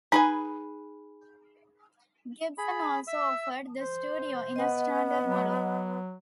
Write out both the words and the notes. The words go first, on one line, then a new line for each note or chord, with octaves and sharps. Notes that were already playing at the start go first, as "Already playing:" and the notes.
Gibson also offered the Studio in a "standard" model.
D#4 G#4 B4 G#5 B5
G#4 B5
E5 E6
C5
B3 D#5 F#5
F#3